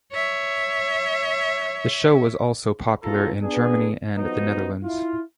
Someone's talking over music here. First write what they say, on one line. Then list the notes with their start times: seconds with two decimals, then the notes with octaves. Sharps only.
The show was also popular in Germany and the Netherlands.
0.13 C#5 E5
3.04 C#2 B2 E4 F4 A4 A#5
3.42 B3 D4 G#4
4.17 F3 F#3 B3 D#4
4.83 E4 F4